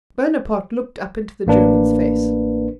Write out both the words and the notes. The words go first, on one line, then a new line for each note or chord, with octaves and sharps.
Bonaparte looked up into the German's face.
A1 A#3 D4 B4